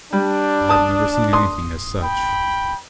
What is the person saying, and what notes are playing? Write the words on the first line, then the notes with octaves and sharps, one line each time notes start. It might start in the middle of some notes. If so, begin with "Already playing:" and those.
I have never seen anything as such.
G3 D4
A5 D#6
C6 D#6
G5 B5